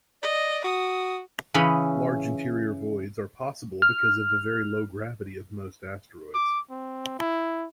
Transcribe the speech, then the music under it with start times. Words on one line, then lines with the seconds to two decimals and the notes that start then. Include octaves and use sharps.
Large interior voids are possible because of the very low gravity of most asteroids.
0.23 D5 D#5
0.64 F#4 D#6
1.54 C#3 E3 C#4 B5
3.82 F6
6.34 D6
6.70 C4
7.19 E4